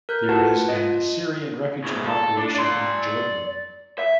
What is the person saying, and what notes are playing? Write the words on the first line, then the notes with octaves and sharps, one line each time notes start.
There is an Assyrian refugee population in Jordan.
A#4 F#6 G6
F4 F#4 B4 F#5 A5
F4 D#5
G#2 C#3
A4
D4
D5 C6
E5